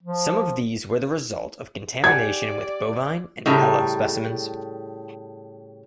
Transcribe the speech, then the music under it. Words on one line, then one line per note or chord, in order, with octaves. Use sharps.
Some of these were the result of contamination with bovine and HeLa specimens.
F3
G4 D5 F#5 G#5 G#6
A2 C#3 G3 A#5